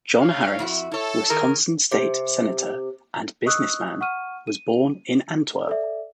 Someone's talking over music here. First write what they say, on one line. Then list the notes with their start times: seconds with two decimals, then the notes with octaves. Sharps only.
John Harris, Wisconsin State Senator and businessman, was born in Antwerp.
0.19 C#5 F5
0.59 F2 E4 F#4
0.92 E4 A4 C#5
1.30 D#3 G#4 A#4
1.91 C3
3.46 D#5 C#6 D#6 E6 F#6
4.01 F#5 C#6 F6 D#7
4.47 D#7
5.67 A4 D5 E5